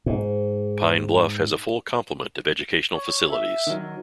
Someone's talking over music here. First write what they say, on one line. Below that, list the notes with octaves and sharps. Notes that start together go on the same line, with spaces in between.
Pine Bluff has a full complement of educational facilities.
G#2
C#5
E5
D#3 F#3